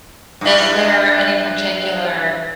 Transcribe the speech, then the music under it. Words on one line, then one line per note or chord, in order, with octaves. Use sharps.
Is there any particular
G2 E4